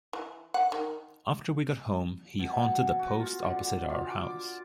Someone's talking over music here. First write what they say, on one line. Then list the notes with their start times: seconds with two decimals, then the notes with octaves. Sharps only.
After we got home, he haunted a post opposite our house.
0.13 E3
0.54 F#5
0.72 D#3
2.39 B2
2.99 F#4
3.20 F4
3.42 D3
3.90 F4
4.10 D6